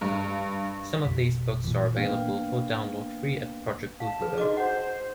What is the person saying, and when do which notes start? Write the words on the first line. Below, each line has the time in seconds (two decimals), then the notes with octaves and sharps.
Some of these books are available for download free at Project Gutenberg.
0.01 G2
1.05 G#1 F2 B2 B6
1.64 A#2 E3
1.96 A#3 B3 D4 B4 F5 G5
4.00 F5 A5
4.22 G#4 B4
4.38 D#4 F#4 D#5 D6
4.57 C5 F#5